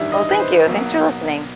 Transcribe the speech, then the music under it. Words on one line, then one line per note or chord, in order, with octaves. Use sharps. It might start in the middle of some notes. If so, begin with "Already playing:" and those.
Well, thank you. Thanks for listening.
Already playing: A1 G2 D#3 G3 E5
D#5
B4
C5
B1 B2 F#3 A#3